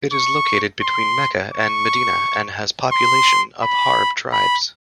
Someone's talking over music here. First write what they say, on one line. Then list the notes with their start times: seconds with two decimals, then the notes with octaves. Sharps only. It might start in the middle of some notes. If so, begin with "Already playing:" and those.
It is located between Mecca and Medina and has population of Harb tribes.
0.13 C#6
0.82 C6
1.53 C#6
2.92 C6
3.63 B5
4.32 B5